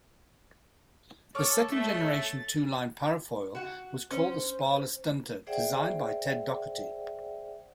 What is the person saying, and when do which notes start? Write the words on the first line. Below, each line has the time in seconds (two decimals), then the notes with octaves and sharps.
The second-generation two-line parafoil was called the "Sparless Stunter", designed by Ted Dougherty.
1.35 A4 C#5 C#6 D6 F6
1.72 A3
2.18 A6
3.55 F#4 F#5
4.11 C#4 C5
5.47 G#4 C5 D5 E5 F#5 G5